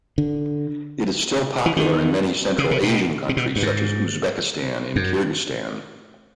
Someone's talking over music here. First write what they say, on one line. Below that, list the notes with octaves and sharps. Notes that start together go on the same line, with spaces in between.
It is still popular in many Central Asian countries such as Uzbekistan and Kyrgyzstan.
D3
E3
D#3
C#3
C3
B2
C3
B2
G2
G#2
F#2